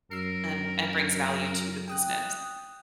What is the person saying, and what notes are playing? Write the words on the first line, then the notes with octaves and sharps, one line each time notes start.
and and brings value to the business.
F#2 A#4 E6 C7
G5 D#6 F#6